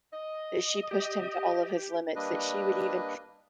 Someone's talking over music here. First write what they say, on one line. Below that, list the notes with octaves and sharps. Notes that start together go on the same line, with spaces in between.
That she pushed him to all of his limits, that she would even
D#5
G4
G3 A#3 D4 B4 D#5